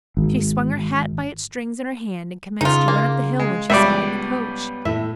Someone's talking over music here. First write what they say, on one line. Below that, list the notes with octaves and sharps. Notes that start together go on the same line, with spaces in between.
She swung her hat by its strings in her hand and commenced to run up the hill when she spied the coach.
G#1
C#3 D#4 F4
A#3
G#3
C#2 G3 B3 D5 E5
A2 E5